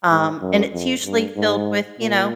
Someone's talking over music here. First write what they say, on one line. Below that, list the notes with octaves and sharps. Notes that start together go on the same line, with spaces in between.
um, and it's usually filled with, you know,
G#2
F#2
F2
G2
G#2
A#2